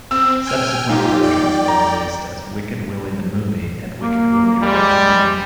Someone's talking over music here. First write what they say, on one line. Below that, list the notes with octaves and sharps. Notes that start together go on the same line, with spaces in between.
Subsequent versions were released as Wicked Willie The Movie and Wicked Willie Rides Again.
C4 E6
G5 G#5 F6
D#4 F4 G4
D5 G5
A#5
A#3
G3 G#3